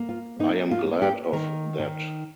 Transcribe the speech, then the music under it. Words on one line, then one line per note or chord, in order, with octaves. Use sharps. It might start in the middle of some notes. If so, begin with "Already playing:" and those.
I am glad of that!
Already playing: A#3
F4
A#3 D#4
F4
A#3
G4
D#3 A#4
D#3